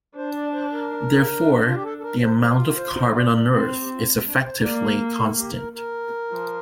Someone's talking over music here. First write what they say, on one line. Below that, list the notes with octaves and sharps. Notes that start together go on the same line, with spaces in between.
Therefore, the amount of carbon on Earth is effectively constant.
D4 C5
D5
C5
A#4
D4
F4
G4
A4
A4
A#4
C5
F4 C5
C5
C5
D5
D5
C4 C5
C5
G4
F4
D4
C5
A#3 D5
A4
G4
A#4
A#4
F3